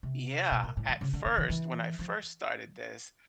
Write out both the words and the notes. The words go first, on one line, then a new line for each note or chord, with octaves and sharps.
Yeah. At first, when I first started this,
C3
B2
A#2
A2
D#3
C#3
D3
D3
D#3
E3
F3